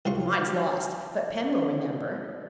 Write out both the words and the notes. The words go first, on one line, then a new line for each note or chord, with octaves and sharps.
Mine's lost, but Pen will remember.'
C2 A2 F4 C#6